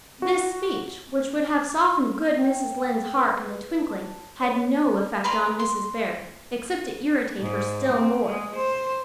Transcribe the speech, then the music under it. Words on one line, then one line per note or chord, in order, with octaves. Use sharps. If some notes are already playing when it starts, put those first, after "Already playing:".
This speech which would have softened good Mrs. Lynde's heart in a twinkling, had no effect on Mrs. Barry except to irritate her still more.
F#4
G5
B4
A5
C#5
B4 D5 A#5 C6
C6
G#2
C4
G#3
C5